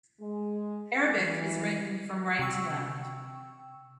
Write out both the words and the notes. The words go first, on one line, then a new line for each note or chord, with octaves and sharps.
Arabic is written from right to left.
G#3
E3
C3 G5 C#6 E6